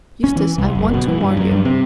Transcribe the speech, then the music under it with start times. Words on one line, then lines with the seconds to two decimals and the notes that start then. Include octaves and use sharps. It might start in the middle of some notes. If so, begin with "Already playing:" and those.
Eustace, I want to warn you.
0.24 C#4
0.37 E3
0.58 C2
0.75 F#1
0.94 B2
1.08 E3
1.21 G2
1.37 F#2
1.52 G2
1.65 C3